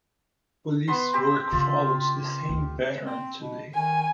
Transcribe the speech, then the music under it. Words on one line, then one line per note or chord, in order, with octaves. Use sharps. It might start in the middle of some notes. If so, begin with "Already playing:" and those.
Police work follows the same pattern today.
B3 B4 C6
C4 G4
C#3 F4
D2
C4
B2
D#3 G#5